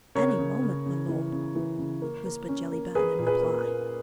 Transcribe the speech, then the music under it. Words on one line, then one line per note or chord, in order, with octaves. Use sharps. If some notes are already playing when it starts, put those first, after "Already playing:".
"Any moment, my lord," whispered Jellyband in reply.
C#3 A#4 C#5
C#3
C#3
C#3
E3
C#3
E3
C#3
A#3
A#3
C#4
A#3
A#3 G#4 B4
A#2
G#4 B4
A#3
A#3